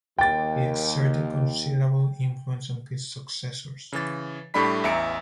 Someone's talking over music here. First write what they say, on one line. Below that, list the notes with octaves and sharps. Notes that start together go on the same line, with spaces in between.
He exerted considerable influence on his successors.
D#2 G5 A6
C#3 E3 A6
A2 G3 A3 D4 B5 B6
A1 E2 E5 A#5 C#7 D7